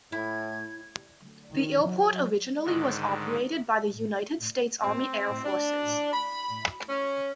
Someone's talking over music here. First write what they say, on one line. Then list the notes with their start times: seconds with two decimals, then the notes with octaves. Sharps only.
The airport originally was operated by the United States Army Air Forces.
0.12 A2 E4 G#6
1.50 D#3
1.84 F#3
2.64 G#2 D3 D#3
4.83 C4
5.44 D4
6.13 B5
6.89 C#4